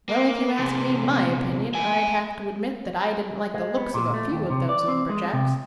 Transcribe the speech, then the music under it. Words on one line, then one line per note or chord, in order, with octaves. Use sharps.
"Well, if you asked me my opinion, I'd have to admit that I didn't like the looks of a few of those lumberjacks."
A#3
E2 C3
E5 G#5
G#3
B3
A#2
A3
D#2
C3
D5
C4
G#3
C3